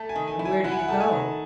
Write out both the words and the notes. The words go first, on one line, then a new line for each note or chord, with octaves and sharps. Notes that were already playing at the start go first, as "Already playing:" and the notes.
"And where do you go?"
Already playing: A3 A5
G#5
D#3
G#5
E4
G#5
E4 F#5
G#5
F#5
A3 A5
G#5
D#3